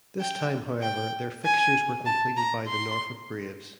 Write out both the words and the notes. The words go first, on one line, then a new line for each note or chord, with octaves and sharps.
This time however their fixtures were completed by the Norfolk Braves.
G5
G5
G#5
A5
A#5
C6